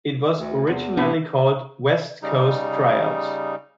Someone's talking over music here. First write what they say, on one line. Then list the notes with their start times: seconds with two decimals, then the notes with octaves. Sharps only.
It was originally called "West Coast Tryouts".
0.39 D2
0.67 E2 C3
0.97 A2 C3 B3 D4
2.22 C#3 G3 D#4